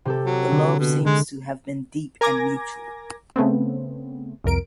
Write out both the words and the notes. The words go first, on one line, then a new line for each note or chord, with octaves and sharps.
The love seems to have been deep and mutual.
C3 G4 A4
F#3
D3
B2
D3 G#3
A#4 G#5 A#5 D6 G#6 A#6
C#3 A3 B3 C4
C2 F2 A#4 D7